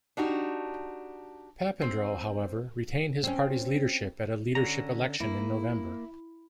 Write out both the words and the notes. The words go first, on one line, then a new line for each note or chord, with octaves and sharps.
Papandreou, however, retained his party's leadership at a leadership election in November.
D4 D#4 F#4 G4
C4
C4 C#4
D3 C#4 A#5
A#3 E4